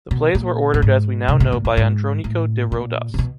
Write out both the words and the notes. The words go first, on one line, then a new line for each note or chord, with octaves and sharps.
The plays were ordered as we now know by Andrónico de Rodas.
B2
A#2
A2
G#2
C3
B2
A#2
A2
G#2
A2
A#2
C3
B2